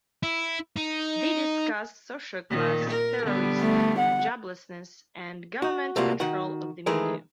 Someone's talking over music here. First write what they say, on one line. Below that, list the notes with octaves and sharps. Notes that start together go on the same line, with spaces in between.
They discuss social class, terrorism, joblessness, and government control of the media.
E4
D#4
A#2 D#3
A#4
D3 G3 B3
A3
F#5
F#4
A2 C3 G3 A#3 F4 F#4
D#3 F#4 F#5
D#3 E3 G#3 A3 G#4 A#4